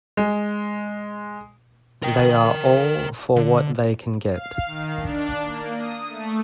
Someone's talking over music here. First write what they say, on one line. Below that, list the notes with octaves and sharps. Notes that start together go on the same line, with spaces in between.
They are all for what they can get.
G#3
A#4 G5
D3
F5
D#3
D4
A#3
D#6
A3